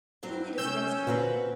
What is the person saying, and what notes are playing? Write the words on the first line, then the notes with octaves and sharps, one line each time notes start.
Truly it is against rule.
G2 F#3 C4
C3 C#4 E6 G6 E7
A#2 C4 F#4 B4